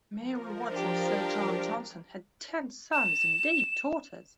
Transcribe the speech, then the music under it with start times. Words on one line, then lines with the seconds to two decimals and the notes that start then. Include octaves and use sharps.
Mary Watts and Sir John Johnson had ten sons and eight daughters.
0.15 F3 A#4
0.70 D4 G4
2.93 E7